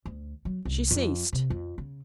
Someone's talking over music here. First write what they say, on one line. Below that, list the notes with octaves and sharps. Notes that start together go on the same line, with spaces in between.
She ceased.
D2
F#3
C2
F2
C3
F2
C#3